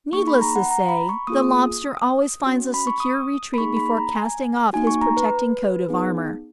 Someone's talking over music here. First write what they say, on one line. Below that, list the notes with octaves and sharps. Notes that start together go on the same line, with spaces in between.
Needless to say, the Lobster always finds a secure retreat before casting off his protecting coat of armour.
A#3 D#4 G#4 C#6
B5
A#5
F#5
A#5
B5
C#6
A#3 F4 G#4 D#6
C#4 F#4
B5
C#6
D#6
B5
A#3 D#4 G#4 C#6
B5
A#5
G#5
A#3 D#4 F#4 G#5
C#6
A#5
B4
B3 D#4 G#4